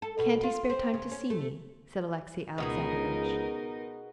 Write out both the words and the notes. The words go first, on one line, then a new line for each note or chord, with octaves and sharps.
"Can't he spare time to see me?" said Alexey Alexandrovitch.
A4
B2
F4
C4
C#3
C#4
A3
C#2 B2 B3 D#4 G#4 A#4